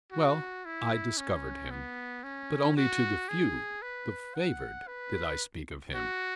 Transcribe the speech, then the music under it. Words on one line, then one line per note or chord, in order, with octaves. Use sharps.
Well, I discovered him, but only to the few, the favoured, did I speak of him.
F#4
E4
C#4
B3
C#4
F#4
G#4
B4
F#5
B4
F#4